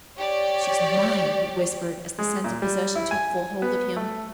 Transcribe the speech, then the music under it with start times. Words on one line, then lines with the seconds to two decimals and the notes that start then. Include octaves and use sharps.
"She's mine," he whispered, as the sense of possession took full hold of him.
0.17 G4 C#5 D5
2.19 G#3
2.44 A#2
2.62 G3
2.95 E4
3.11 G#5
3.62 B3
3.97 A3